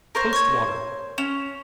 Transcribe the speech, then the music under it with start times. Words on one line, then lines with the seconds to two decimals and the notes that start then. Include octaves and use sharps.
Toast Water.
0.15 A#4 C5 C#5
0.33 C#6 G#6
1.18 C#4 E7 F7